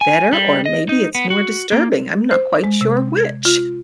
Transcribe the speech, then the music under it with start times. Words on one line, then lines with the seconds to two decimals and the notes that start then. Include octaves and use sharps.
better or maybe it's more disturbing. I'm not quite sure which.
0.01 G#5
0.33 G3
0.65 D#5
0.89 D#4
1.15 B3
1.30 F#4
1.72 A#3
2.31 C5
2.64 G#3
2.81 C3
3.17 G#6
3.45 F4